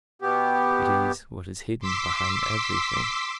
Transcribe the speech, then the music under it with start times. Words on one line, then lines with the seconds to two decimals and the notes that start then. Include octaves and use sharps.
It is what is hidden behind everything.
0.22 B2 B3 G4
1.80 C6 D6 E6 B6